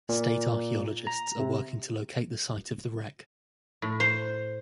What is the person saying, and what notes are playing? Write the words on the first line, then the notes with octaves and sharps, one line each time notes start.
State archaeologists are working to locate the site of the wreck.
A#2
A#5
C3
A2
C5